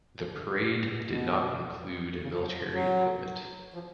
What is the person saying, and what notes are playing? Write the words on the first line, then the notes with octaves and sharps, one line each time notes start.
The parade did not include military equipment.
F3
D3
D#3
D3
D3
C#3
B2
B2
C#3
F3
F#3
F3
F#3
F3